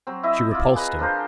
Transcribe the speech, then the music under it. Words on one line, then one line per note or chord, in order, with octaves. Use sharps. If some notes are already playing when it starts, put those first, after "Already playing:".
She repulsed him.
F#3 C4
E4 D#5 E5
F4 D5
G#4 B4 D#5 A#5
F3 D4 A#4 C5